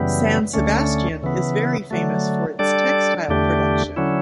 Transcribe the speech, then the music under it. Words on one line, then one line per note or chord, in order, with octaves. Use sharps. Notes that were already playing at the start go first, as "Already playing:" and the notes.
San Sebastian is very famous for its textile production.
Already playing: F#2 C#3 E3 G3 B3
D2 D3 A3 C#4
C#3 E3 B3
D3 F#3 A3
G3 D4 A4 D5
E2 D3 A3 D4 G4
D3 F#3 C#4 E4